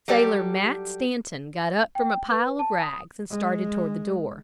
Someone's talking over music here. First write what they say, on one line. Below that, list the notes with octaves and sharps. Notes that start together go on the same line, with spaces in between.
Sailor Matt Stanton got up from a pile of rags and started toward the door.
F#3 G3 G4 A4 D5
G5
B4
A5
D#6
G#3